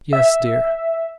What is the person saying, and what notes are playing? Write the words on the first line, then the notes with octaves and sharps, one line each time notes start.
"Yes, dear!"
E5